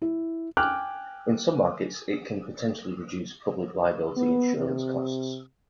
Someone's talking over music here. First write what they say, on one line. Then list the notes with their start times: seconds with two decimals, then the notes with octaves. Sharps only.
In some markets it can potentially reduce public liability insurance costs.
0.02 E4
0.57 G5 G#5 D6 F6 F#6
4.17 B3
4.57 C3